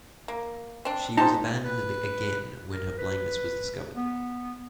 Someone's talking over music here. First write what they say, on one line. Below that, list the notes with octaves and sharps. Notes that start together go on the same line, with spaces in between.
She was abandoned again when her blindness was discovered.
A#3
C4 D4
C#4 D#4 G4 C5 A5
B4
A#4
B4
B3